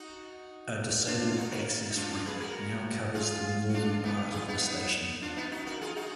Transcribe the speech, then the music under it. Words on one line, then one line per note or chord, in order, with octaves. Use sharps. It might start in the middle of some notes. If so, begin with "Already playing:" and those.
A disabled access ramp now covers the northern part of the station.
Already playing: D#4 F#4
D4 F4
F4
D#4 F#4
F#4 A#4
D#4
D4 F4
D4 F4
G#4 B4
F#4 A#4
F4 G#4
F#4
D4 F4
B3 D#4
F4 G#4
B3 D#4
D4 F4
B3 D#4
D#4 F#4
F#4 A#4
F4 G#4
D#4 F#4